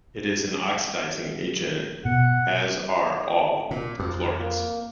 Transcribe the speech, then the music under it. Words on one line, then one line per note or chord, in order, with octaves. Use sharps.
It is an oxidizing agent, as are all perchlorates.
B2 F#5
A#2
F2
A#3